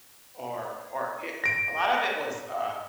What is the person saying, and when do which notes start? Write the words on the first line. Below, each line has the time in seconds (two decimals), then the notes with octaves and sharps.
Or or eh a lot of it was, uh,
1.44 A#6 D7